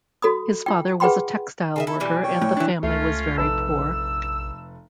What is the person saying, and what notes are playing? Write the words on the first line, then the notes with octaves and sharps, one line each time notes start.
His father was a textile worker and the family was very poor.
F#4 A4 B5 D#6
F4 G5
G#4 B4 F#5 G5 B5 C6
C#3 D#5 E5
E4 A4
B2 E3 G3
C#5 G5
A2
E3 D4
C#2 A3 C#4 F4
F1 A#1 A4 B4 E6